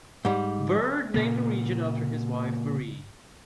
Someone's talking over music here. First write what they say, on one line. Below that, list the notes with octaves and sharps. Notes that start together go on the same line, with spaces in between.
Byrd named the region after his wife Marie.
G#2 G3
A#2 C#3 A#3